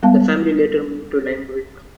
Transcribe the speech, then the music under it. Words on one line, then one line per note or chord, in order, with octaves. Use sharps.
The family later moved to Limerick.
G3 G#3 B3 F5 A5